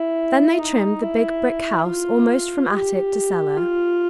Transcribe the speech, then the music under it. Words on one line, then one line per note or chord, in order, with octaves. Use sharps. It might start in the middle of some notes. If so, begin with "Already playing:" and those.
Then they trimmed the Big Brick House almost from attic to cellar.
Already playing: E4
D#4
E4
F4
G4
F4